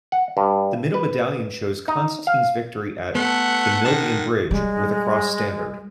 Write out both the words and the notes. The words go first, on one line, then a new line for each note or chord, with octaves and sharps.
The middle medallion shows Constantine's victory at the Milvian bridge, with a cross standard.
F#5
G2
B4
D#4
F5
A3 B3 F#5
D#3 A5
G3 G#3